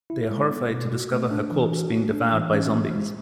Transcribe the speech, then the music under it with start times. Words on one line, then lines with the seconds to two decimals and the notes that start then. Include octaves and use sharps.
They are horrified to discover her corpse being devoured by zombies.
0.10 E4
0.31 G#3
0.51 B3
0.71 B2
0.91 F#4
1.11 A3
1.31 D4
1.52 E3
1.72 F#4
1.92 A3
2.13 D4
2.32 E3
2.53 C#4
2.73 E3
2.94 G#3